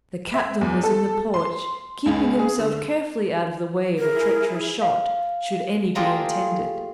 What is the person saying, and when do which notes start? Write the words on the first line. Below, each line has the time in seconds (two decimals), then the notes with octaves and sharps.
The captain was in the porch, keeping himself carefully out of the way of a treacherous shot, should any be intended.
0.34 E5
0.61 E2
0.84 A4
1.34 C6
2.06 C#2
2.39 G#4
2.59 D3
3.98 E4 G#4 A#4
4.82 F5
5.95 A3 A#3 D4 F4 G4 G#4